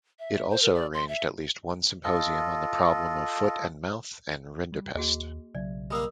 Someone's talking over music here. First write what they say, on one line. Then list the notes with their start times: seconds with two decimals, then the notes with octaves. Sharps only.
It also arranged at least one symposium on the problem of foot-and-mouth and rinderpest.
0.19 E5
0.51 C5
0.62 A#4
0.75 D5
0.94 C6
1.08 E5
2.04 F4 A4 D#5
4.72 G3
4.95 D#2 A#3 F#4 G#4 D#5
5.55 B1 C#3 F#3 D5
5.91 G3 A#3 D#5 F5 D#6 E6